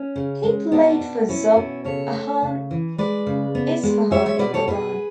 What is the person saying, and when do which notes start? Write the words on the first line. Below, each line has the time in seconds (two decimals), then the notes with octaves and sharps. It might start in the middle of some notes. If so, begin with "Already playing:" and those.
He played for Zob Ahan Isfahan in Iran.
Already playing: C#4
0.16 C#3
0.43 G#3
0.72 B2 B3 D4
1.00 B2
1.28 B2 C#4 E4
1.57 B2
1.85 C#3 A4 C#5
2.14 A3
2.42 C#3
2.71 E3
2.98 G#3 B4 D5
3.26 C#3
3.55 B3
3.83 G#3
4.11 G#3 C#5 E5
4.26 C#5 E5
4.39 B2 B4 D5
4.54 A4 C#5
4.68 B2 G#4 B4